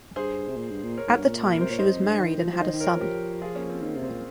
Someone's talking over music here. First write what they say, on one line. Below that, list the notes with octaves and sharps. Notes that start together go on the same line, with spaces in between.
At the time she was married and had a son.
G2 G#4 C5
C3
A#2
G2
A#2
A#4 C#5
G#2
G2
A#2
A#4
C3 C5
A#2 C#5
G#2 C5 D#5
F2
G2
D#3
D#3
F3
F3
D#3 C5 D#5
D#3
A#4 C#5
F3
G4 A#4
F4 G#4
A#3 C#4
C4
D#3 A#3
C3
C4
A#2